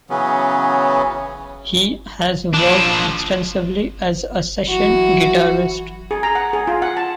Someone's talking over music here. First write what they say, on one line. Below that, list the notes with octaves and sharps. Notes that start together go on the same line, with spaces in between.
He has worked extensively as a session guitarist.
C#3 E3 F#3 B3 C#4
F3 D4
E3 F#3 F#4
G#4
A#5
F#5
G#4
F4
F#5
A5